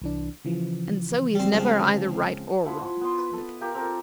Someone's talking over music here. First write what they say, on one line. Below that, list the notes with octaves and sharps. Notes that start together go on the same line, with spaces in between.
"And so he is never either right or wrong," said the King.
C2 E3 D4
C#3 E3 F3
G3 C4
C#2 F3 G3 C4
D3
F3 E4 C5 F#5
B3 C6
B4
A4
F4 G4 A#4
C4 A4 A#4